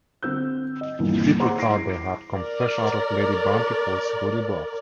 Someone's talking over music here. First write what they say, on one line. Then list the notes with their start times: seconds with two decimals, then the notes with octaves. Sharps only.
People thought they had come fresh out of Lady Bountiful's goody-box.
0.23 D3 C4 E6 G6
0.81 D#5
0.99 C2 G2 A#2 D#3 E3 A#3
1.39 G#4 C5 F#5 A#5 C6 D6
1.57 E4 A#6 C7 D7
2.32 A#4 D5